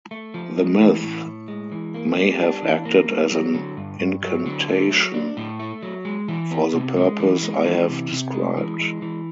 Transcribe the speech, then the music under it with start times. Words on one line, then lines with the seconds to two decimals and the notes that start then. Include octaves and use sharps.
The myth may have acted as an incantation for the purpose I have described.
0.11 A3
0.34 F3
0.57 G#3
0.80 E3
1.03 A2
1.25 A2
1.48 G#3
1.72 E3
1.94 A#3
2.17 G3
2.40 D4
2.62 E3
2.85 A#3
3.09 G3
3.31 F#3
3.54 D3
3.77 G2
4.00 G2
4.23 F#3
4.46 D3
4.68 A3
4.91 F#3
5.14 D4
5.37 A2
5.60 A3
5.83 F#3
6.05 G#3
6.28 E3
6.51 B3
6.74 C3
6.96 G#3
7.20 E3
7.42 G#3
7.65 E3
7.89 C3
8.11 C3
8.34 G#3
8.57 E3
8.79 G#3
9.02 E3